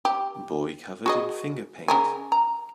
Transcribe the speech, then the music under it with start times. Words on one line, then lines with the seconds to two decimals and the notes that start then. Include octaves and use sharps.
Boy covered in finger paint.
0.05 G4
1.06 F#4 G#4 D#5
1.88 C#3 A#4 G#5
2.32 A#5